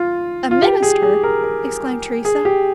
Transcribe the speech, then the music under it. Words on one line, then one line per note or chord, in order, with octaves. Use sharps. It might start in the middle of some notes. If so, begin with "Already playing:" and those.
"A minister!" exclaimed Teresa.
Already playing: F4
F4
G4
G#4
G#4
A#4
A#4
G#4
G4